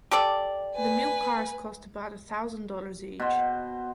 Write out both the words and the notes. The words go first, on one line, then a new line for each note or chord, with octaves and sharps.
The milk cars cost about a thousand dollars each.
G4 A4 D5
B4 G#5
B2 C5